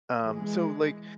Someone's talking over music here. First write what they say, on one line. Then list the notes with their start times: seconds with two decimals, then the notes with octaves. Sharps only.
um, so, like,
0.21 E3 G#3